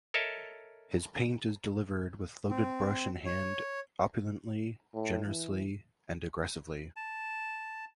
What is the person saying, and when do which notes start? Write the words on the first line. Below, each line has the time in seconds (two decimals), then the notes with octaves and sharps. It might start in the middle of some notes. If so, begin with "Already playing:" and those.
His paint is delivered with loaded brush in hand, opulently, generously and aggressively.
0.14 A4 A#4 C#5 D#5 E5 A5
2.50 C4
3.26 C#5
4.94 A2
5.26 E3
6.96 A5